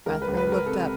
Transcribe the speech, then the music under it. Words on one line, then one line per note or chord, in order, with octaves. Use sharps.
Rathbury looked up.
C#2 A#4
B4
C#2
B4
C#2
A#4
C3 A4